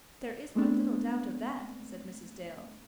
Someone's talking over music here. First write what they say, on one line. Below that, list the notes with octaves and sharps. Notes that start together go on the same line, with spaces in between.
"There is but little doubt of that," said Mrs. Dale.
G#3 A3 B3 C4 D4